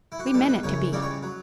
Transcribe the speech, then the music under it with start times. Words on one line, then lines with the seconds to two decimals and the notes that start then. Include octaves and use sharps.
We meant it to be.
0.12 E4
0.19 F#4
0.26 G4
0.34 E2 B2 G3 A4
0.49 B4
0.63 F#2 C#3 E3 C#5
0.93 C#2 C#3 E3 G3 D5
1.02 C#5
1.23 F#3